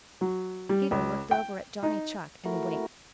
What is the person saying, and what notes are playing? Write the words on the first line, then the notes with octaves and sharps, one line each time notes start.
Peter looked over at Johnny Chuck and winked.
F#3
G3
C#2
G5
D#4
A3 E4 F#4 A#4